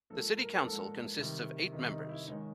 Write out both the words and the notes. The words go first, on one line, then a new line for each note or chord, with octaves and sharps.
The city council consists of eight members.
G#2 F3 A#3 D4 A4
A#4
A#4
G#2 F3 A#3 D4 A4
C3 D#3 G3
C3 D#3 G3 D#4
D#4
E4
G#2 D#3 G#3 C#4 D#4